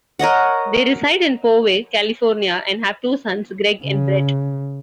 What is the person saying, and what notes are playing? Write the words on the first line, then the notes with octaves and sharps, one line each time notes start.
They reside in Poway, California and have two sons, Greg and Brett.
A#4 C#5 D#5 F#5
C#3